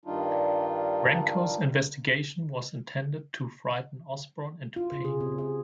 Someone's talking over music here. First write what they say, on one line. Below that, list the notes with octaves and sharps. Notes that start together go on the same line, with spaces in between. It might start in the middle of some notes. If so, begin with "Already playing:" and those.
Renko's investigation was intended to frighten Osborne into paying more.
G2 D#3 G3 D4 D#4 F4
F4
C#3
G#4
C3
G#4